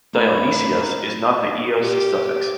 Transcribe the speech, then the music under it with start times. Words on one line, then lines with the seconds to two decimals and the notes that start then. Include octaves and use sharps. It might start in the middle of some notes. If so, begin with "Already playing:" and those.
Dionysias is not the -ios suffix.
0.13 A3 A#5 B5
1.80 G4